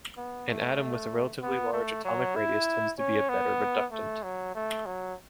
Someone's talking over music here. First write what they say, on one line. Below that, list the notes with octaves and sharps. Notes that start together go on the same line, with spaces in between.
An atom with a relatively large atomic radius tends to be a better reductant.
B3
A3
B3
A3
F#3
E4
C#4
B3
A3
F#3
A3
F#3